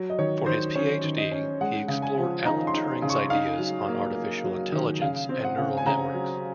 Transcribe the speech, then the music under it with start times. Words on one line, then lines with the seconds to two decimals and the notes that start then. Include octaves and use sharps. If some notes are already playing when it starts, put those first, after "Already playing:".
For his PhD, he explored Alan Turing's ideas on artificial intelligence and neural networks.
Already playing: F#3
0.10 D#5
0.18 D#3 C#5
0.46 D#3 C5
0.75 C#4 C#5
1.04 D#3
1.18 D#5
1.32 C#4
1.61 G#3 F#5
1.88 C#3
2.02 G#5
2.18 F3
2.45 D#4 A#5
2.67 C6
2.74 D#4
3.02 C#3
3.09 C#6
3.30 D#4 F5
3.59 F#3
3.88 A#3
4.15 A#3
4.44 F#3
4.72 D#3
5.01 C#3 F5
5.29 C4
5.44 F#5
5.58 C#3
5.77 G#5
5.86 C#3 A#5
6.14 F#3